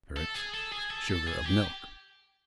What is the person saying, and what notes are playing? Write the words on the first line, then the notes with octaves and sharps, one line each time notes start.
Spirits. Sugar of milk.
A4
G#4
A4
G#4
A4
A4
G#4
G4